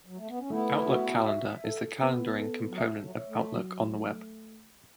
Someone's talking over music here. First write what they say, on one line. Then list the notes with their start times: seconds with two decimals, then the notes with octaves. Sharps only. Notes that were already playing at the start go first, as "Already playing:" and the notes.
Outlook Calendar is the calendaring component of Outlook on the web.
0.06 F#3
0.17 A3
0.28 B3
0.39 C#4
0.50 A3 B3 E4
0.88 F#4
1.26 E5
1.64 A4
2.02 B3
2.40 A4
2.69 F#3
2.77 A3 E5
3.03 F#3
3.16 C#5
3.28 A3
3.54 F#3
3.92 A3